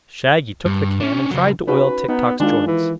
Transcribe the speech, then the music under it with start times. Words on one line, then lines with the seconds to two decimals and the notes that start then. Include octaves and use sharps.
Shaggy took the can and tried to oil Tik-Tok's joints.
0.66 G2
1.00 C#4 D4
1.31 C#3 F#3
1.67 C#4 D#4 F#4 B4
2.08 B3 D#4
2.40 D#3 G#3 D4 F4
2.67 E3